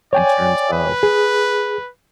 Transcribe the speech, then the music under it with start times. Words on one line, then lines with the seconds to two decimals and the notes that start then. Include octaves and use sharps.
in terms of,
0.13 C#5 D5 G5 G#5
0.73 B4
1.03 G#4